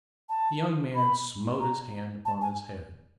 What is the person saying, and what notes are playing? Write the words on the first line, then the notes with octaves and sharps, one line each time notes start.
The young man smote his hand upon his head.
A5
B5
A#5
A5
G#5